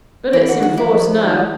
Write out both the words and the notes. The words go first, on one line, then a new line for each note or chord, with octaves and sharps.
But it's in force now.
E3 G4
F#4
D3
D#3 F#4
E3
F3 E4
D#3
E3